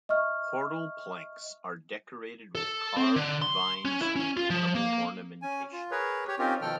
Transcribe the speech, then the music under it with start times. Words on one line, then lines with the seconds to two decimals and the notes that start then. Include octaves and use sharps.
Portal planks are decorated with carved vines and animal ornamentation.
0.09 D#5 E5 C#6 F6
2.55 A4
2.97 C4
3.16 D3
3.42 C6
3.85 C#4
4.02 E4
4.16 C#4
4.37 F4
4.50 F3
4.75 A#3
5.42 C#4 G#5
5.72 F4
5.91 G#4 A#4 B4 C#5
6.28 G4 C#5
6.39 C4 C#4 D#4 F4 G4 A#4
6.62 B2 D#3 F3 A4 G5 F6